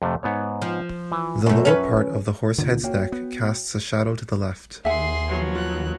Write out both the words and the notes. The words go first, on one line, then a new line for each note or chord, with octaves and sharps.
The lower part of the Horsehead's neck casts a shadow to the left.
F2 C3 A3
G#2 B3 C#5
F3
E3
F#2 B2 A3
C#4 A4 B4
C#2 A#2 D3 D#3
A#3 F#4 C#5 G5
B3
D#2 G#4 E5 F#5 C6
F3 F#3 B3
F4 F#6